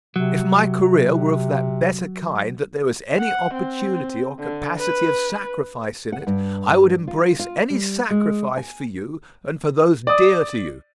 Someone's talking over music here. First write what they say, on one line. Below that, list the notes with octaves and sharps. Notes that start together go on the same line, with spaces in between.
If my career were of that better kind that there was any opportunity or capacity of sacrifice in it, I would embrace any sacrifice for you and for those dear to you.
C3 F#3
F#5
C4
D3
B4
F#5
G2
F4
F4
G3
G#3
G#5
D5 D#6